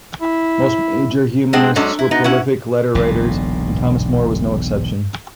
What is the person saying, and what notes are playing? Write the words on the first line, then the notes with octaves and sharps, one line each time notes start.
Most major humanists were prolific letter writers, and Thomas More was no exception.
E4
G#3 C4 D4 G#4 F#5 G5
F#2 F#3 G#3 C#4 D4 A4
E4
B3 D#4 F#4
C#4 E4 F#5
E1 B1 A#2 D3